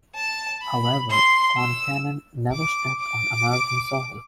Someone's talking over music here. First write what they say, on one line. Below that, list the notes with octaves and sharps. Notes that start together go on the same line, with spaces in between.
However, Concanen never stepped on American soil.
A5
B5
C6
E6
D6
D6